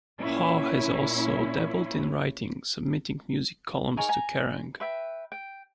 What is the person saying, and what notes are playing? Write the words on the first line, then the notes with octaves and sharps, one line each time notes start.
Haug has also dabbled in writing, submitting music columns to Kerrang!
A#2 C#4 E4
D#4 G#4 A#4 C#5
G#5 A#5
B4 E5 G5
G5